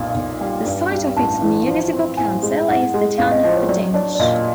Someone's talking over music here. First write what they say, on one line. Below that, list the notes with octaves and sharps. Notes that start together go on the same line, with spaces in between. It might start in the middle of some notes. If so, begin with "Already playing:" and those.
The site of its municipal council is the town of Buddinge.
Already playing: B1 A#2
B1
G3
G2
G3
A1 A5
E3
F3
C4
A2 G#5
G#3
A2 F#5
G#3
A1 F5
D#5
F3 D#5
C#5
F#3 D5
D4 C#5
D5
A#2 D#5